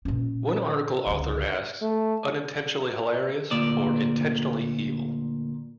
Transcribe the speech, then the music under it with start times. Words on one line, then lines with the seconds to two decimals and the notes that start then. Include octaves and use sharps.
One article author asks, unintentionally hilarious or intentionally evil?
0.05 A#2 C#4
1.07 C#2 D3
1.82 A3
3.51 D2 A#2 D5